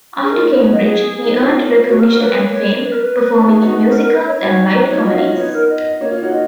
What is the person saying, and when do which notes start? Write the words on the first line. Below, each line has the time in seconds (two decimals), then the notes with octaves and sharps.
After Cambridge, he earned recognition and fame performing in musicals and light comedies.
0.23 G#4
0.30 D#4 A#4
0.41 A#3 C#4
0.52 B3
0.62 B3 C#5
0.72 D#5
0.83 G#4
1.25 B3 D#4
1.41 C#4 F4
1.57 C#4 F4
1.89 F#4
1.97 A#3 A#4
2.08 B3 A#4
2.20 A#3 C#4 B4
2.53 C#5
2.83 B4
2.92 A#4
3.00 B4
3.38 C#4
3.47 B3 D#4 G#4
3.63 B3 D#4 F#4
3.79 G#4
3.90 A#4
4.00 A#4
4.10 B4
4.26 C#5
4.42 D#4 F#4 C#5
4.74 B4
4.82 C#4
4.89 D#4 C#5
4.97 F4
5.05 D#4 F#4 D#5
5.14 F5
5.21 C#4 F4 D#5
5.37 B3 D#4 C#5
5.53 A#4
5.69 D#5
6.01 A#3 C#4 C#5
6.11 C#4 F4
6.21 D#4 F#4
6.32 F4 D#5